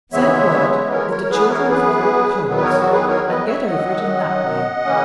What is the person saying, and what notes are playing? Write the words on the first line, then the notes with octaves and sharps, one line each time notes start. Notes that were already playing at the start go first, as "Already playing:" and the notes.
"Send word that the children have caught colds, and get over it in that way."
D#2 C#3 E3 G#3 B3 C#5 E5
C#5 E5
A#4 C#5
A#4 C#5
A#4
F#2 E3 B3 G#4 B4
A#4 C#5
G#4 B4
E2 D#3 F#3 B3
B4
A#4 C#5
F#4
G#4 B4
A#4 C#5
B4 D#5
C#5 E5
F#2 D#3 F#3 D#5 F#5
C#3 E3 A#3 C#4